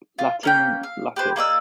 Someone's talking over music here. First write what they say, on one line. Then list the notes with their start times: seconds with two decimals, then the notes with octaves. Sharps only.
Latin "lacus".
0.19 F4
0.43 A#3 C#4 G5
0.83 F5
1.16 G4 B4 C5
1.36 A#3 D#4 D5 E6